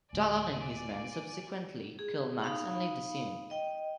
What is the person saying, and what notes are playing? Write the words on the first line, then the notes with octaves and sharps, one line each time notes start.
Jalal and his men subsequently kill Max and leave the scene.
D2 A2 D5 G#5
G#4
D#4 F5 B5
D#5 G5